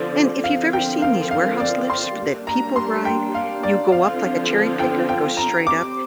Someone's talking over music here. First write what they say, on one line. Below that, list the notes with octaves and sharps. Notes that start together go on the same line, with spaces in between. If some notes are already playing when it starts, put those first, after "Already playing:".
And if you've ever seen these warehouse lifts that people ride, you go up like a cherry picker, go straight up,
Already playing: D3 F3 C4 D5
D3 F3 C4 F4 A#4 F5
G5
F5
F5
D5
C6
G3 A#3 D4
A#5
C6
G5
F5
D5
D3 F3 C4 F4 F5
G5
G5
A#5
C4 G4 C5 D6